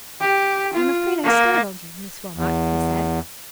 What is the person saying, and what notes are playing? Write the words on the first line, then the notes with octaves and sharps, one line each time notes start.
"I am afraid I startled you, Miss Wilmot," he said.
G4
F4
A#3
E2